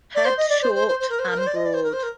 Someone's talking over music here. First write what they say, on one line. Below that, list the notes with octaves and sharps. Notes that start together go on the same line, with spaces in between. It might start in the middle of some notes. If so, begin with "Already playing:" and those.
Head short and broad.
D5
C5
D#5
D5
C5
C5
C5
C5
A#4
C5
A#4
C5
D5
D#5
D5
C5
A#4
C5
A#4